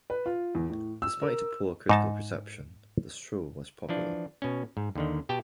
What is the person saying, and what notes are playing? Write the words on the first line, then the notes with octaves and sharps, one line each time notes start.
Despite a poor critical reception, the show was popular.
B4
F4
E2
A2
E6
A#4
G#2 D#4 A5
E3 F3 D4
B2 C#4
G#2
D#2 D3 D#3
B2 G4 G5 A5